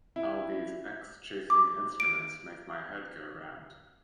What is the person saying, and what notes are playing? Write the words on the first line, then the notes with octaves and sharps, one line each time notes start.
All these X-chasing instruments make my head go round.
E4
D6
D7